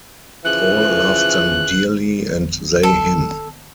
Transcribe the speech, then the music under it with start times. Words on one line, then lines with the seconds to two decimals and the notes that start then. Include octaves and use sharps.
Paul loved them dearly, and they him.
0.45 C#3 E3 F3 F#6
2.83 A4